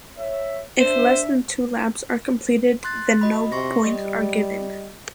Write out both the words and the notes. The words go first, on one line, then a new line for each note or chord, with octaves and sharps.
If less than two laps are completed then no points are given.
C#5 E5
D4 C5 E5
C6 F#6 A6
F#4 D#5 B5
C3 C6 C#6 A#6
G3 D#5